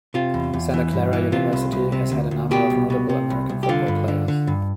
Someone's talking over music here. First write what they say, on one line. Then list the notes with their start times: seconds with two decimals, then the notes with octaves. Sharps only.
Santa Clara University has had a number of notable American football players.
0.14 C3 F4
0.34 E2
0.54 E2
0.74 E3
0.93 G2
1.13 E3
1.32 C3 F4
1.53 C2
1.72 C2
1.92 C3
2.12 D2
2.31 D2
2.51 B2 G4
2.70 C2
2.90 B2
3.09 C3
3.30 C2
3.49 C2
3.63 G4
3.69 D3 F4
3.88 G2
4.08 D3
4.28 D3
4.47 G2